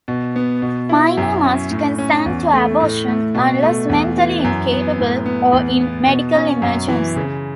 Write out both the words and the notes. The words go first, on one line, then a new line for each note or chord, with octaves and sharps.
Minor must consent to abortion unless mentally incapable or in medical emergency.
B2
B3
B2
E4
F#2
C#4
A2
C#4
E2
A3
A2
A3
B2
A3
E2
E3
F#2
B3
A2
B3
E2
B3
B2
C#4
F#2
E3
C#3